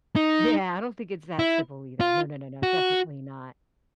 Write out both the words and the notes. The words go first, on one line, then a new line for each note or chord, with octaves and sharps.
Yeah, I don't think it's that simple either. No, no, no, no, definitely not.
D#4
E4
F4
F#4